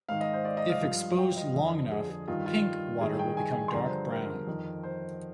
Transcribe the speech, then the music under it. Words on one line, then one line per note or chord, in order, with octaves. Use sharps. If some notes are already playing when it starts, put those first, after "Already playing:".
If exposed long enough, "pink" water will become dark brown.
G#2 D#3 F5
D#5
C5
D5
D#5
F5
G2 F3
G5
D#5
F2 D3 F3
G#4
G#4
G2 D#3 F4
F4
G2 D#3 G#4
G5
G#5
C6
G2 D3 F3 A#5
C5
A#4
F2 D#3
C5